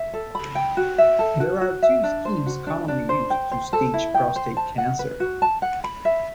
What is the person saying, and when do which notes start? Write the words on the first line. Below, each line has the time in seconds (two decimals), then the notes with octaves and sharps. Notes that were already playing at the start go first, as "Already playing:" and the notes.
There are two schemes commonly used to stage prostate cancer.
Already playing: E5
0.13 A4
0.35 B5
0.55 G5
0.77 F#4
0.98 E5
1.19 A4
1.40 F#4
1.61 F#4
1.83 E5
2.03 D4
2.25 C5
2.46 F#4
2.67 D4
2.88 D4
3.09 C5
3.30 G5
3.51 C5
3.73 A4
3.94 E4
4.14 G5
4.36 C5
4.57 A5
4.78 F#5
4.99 B4
5.20 F#4
5.42 A5
5.62 F#5
5.84 B5
6.05 E5